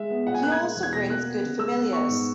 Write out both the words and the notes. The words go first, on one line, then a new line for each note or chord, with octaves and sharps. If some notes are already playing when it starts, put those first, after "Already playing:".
He also brings good familiars.
Already playing: G#3 E5
B3
A#2 F#5
G#5
A#3 F#6
G#6
G#3
E2
G#6
B2 A#6
A#3 F#6
B3
C#3
G#3 E6
B3
B3 C#6
G#2